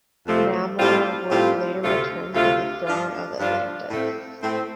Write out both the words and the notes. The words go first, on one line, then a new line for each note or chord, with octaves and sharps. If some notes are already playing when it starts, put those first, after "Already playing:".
Namor would later return to the throne of Atlantis.
F2 C3 F3 A3
A2 G3 C4 F4
A2 G3 C4 F4
D2 C3 A3 F4
D2 C3 A3 F4
G2 F3 D4 F4
G2 F3 D4 F4
A2 A3 C4
A2 A3 C4